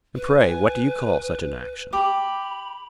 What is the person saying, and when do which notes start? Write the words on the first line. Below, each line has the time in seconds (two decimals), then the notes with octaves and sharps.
"And pray what do you call such an action?"
0.15 B4
0.40 G#5
1.93 G4 B5 D6